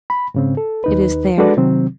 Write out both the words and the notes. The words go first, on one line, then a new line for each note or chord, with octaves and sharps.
"It is there."
B5
G#2 C#3 C4
A4
D#2 D#4 B4
G#3 D4 F#4 A4 B4 D5
C3 D#3 F#3 C4